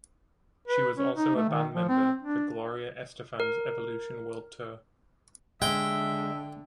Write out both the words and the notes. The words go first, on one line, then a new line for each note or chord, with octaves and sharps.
She was also a band member for Gloria Estefan's Evolution World Tour.
B4
C#4
D#4
A3
D#3
F3
C4
D4
A#4
D3 G#3 E5 G5